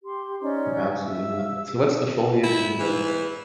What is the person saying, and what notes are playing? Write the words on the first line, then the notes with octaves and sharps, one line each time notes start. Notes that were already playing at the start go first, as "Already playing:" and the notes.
Absolutely not. So, what's the foliage and the
G4 C6
C#4 D#4 C5 D5
E5 E6
E4
E3